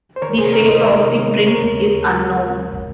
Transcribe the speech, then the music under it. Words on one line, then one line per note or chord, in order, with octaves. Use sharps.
The fate of the prints is unknown.
C5
D#3 A#4 C#5
C3 G#4 C5
D#3 A#4 C#5
D#4 C5 D#5
G#3 A#4 C#5
C3
D#3
G#3
C#3 A#4 C#5
D#2